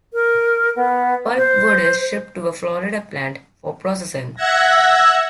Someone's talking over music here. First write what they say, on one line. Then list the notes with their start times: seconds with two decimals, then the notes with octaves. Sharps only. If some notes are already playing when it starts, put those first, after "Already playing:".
Pulpwood is shipped to a Florida plant for processing.
0.13 A#4
0.76 B3
1.37 C5
4.35 E5 F#5 E6 F#6 G#6 A#6